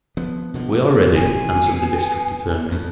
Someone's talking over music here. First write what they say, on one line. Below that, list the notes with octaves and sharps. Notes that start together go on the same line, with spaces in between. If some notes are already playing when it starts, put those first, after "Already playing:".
"We are ready," answered the District Attorney.
F3 B3
B2 D3 F3
F1 G2 D3 G#5
B2
F2